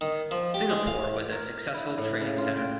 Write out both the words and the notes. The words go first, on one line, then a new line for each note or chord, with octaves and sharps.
Singapore was a successful trading centre.
D#3
F3
G4
G#3
F5
A#4
E4
A2
C#3
F4
G5